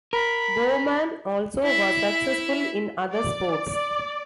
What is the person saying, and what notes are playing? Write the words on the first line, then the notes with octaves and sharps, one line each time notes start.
Bouman also was successful in other sports.
A#4 B5
E4 E5
D5
D5